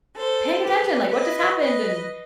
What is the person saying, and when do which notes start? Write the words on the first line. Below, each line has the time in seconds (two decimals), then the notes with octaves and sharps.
paying attention? Like, what just happened?" And,
0.17 A4 C5
0.64 G4 B4
1.12 B4 D#5
1.61 B4 D#5